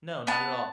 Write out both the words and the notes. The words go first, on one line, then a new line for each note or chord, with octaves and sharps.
No. Not at all.
B3 A5